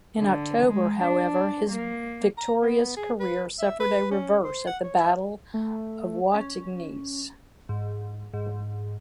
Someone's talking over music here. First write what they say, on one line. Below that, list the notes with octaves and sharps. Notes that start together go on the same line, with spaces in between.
In October, however, his victorious career suffered a reverse at the Battle of Wattignies.
D3
G#3
D4
A#3
A#5
B3
G#4
B4
E5
B4
C#4
C5
F#5
C#5
E5
A3
C#4
G#2
G#2